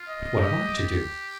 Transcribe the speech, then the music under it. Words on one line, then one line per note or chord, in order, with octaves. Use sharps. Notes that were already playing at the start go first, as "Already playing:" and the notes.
"But what am I to do?"
Already playing: F4
D#5
G4